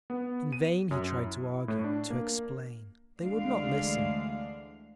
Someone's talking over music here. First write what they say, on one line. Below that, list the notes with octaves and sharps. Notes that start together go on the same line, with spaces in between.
In vain he tried to argue, to explain; they would not listen.
B3
D#7
F#2
E4
A2
D4
A#3
D2 D3 E3 G#3 D4 F5